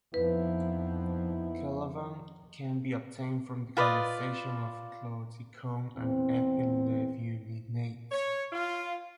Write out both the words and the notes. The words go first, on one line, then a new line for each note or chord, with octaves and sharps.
Kelevan can be obtained from the condensation of chlordecone and ethyl-levulinate.
F2 F3 B3 D#4 E4 B4
F4 B4 D5 D#5
E2 C4
C#5
F4